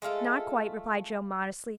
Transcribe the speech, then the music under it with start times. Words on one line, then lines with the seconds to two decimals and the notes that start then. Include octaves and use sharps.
"Not quite," replied Jo modestly.
0.02 G#3 A3 F4 A4